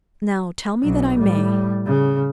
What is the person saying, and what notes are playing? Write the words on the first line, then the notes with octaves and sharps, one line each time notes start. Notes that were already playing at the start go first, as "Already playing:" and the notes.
Now tell me that I may.
B1 F#3
A2 G3
C#3